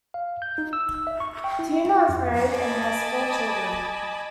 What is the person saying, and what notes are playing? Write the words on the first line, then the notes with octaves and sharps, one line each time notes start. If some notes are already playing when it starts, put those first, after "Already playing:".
Tina is married and has four children.
F5
G6
D#4
E6
E5
C#6
G5
E4
F2
D#5 G#5 A5 B5 D6